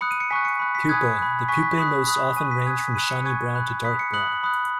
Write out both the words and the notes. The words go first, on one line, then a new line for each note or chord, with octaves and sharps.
Pupa: The pupae most often range from shiny brown to dark brown.
B5 D#6 F#6 C#7
D#7
C#7
G#5 C#6 F#6 B6
C#7
B5 F#6
B6
G#5 B5 D#6 F#6 G#6
B5 F#6
G#5 C#6 F#6 B6
B6
B5 D#6 F#6
B5 D#6 F#6
G#5 C#6 F#6 D#7
B6
G#5 D#6 F#6 G#6
B6
B5 D#6 F#6 D#7
C#7
G#5 C#6 F#6 G#6
B5 F#6
B5 D#6 F#6 B6
C#7
B5 D#6 F#6 F#7
B5 D#6 F#6